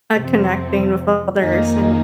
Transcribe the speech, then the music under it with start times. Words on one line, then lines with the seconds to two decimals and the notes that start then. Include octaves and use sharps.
at connecting with others and
0.19 F2 C3 F3 C4
1.38 F2 D#3 A#3 D#4 G#4